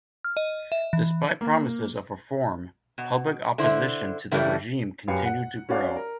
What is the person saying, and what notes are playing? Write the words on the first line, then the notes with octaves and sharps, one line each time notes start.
Despite promises of reform, public opposition to the regime continued to grow.
F6
D#5
E5
E3
A#3
B2
D3 E4 C5
A2 C#3 E3 G3 A3
F#2 G4 B4 F5 G#5 C#7
F#5
C#4 F#4 D5 F5
A#4